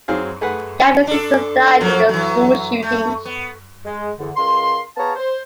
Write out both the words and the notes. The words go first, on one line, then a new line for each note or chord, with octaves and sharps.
Gabby's sister died in a school shooting.
F#3 C4 G#4 F5
A3 G#4 B4 F#5
D4 A4
F3 F#3 A#3
E3 F#3
A3
B3
G#3
E2 D3
C#2 A#4 F5 C6
B3 G#4 C#5 F5 A5 A#5
C5